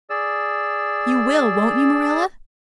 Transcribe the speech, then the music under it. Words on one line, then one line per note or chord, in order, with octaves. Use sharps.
You will, won't you, Marilla?
G#4 D5 E6